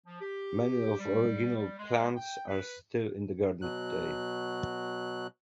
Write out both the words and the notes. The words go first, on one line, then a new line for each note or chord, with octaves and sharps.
Many of the original plants are still in the garden today.
F3
G4
G3
G3
G#3
G5
B4
B2 F#3 F#6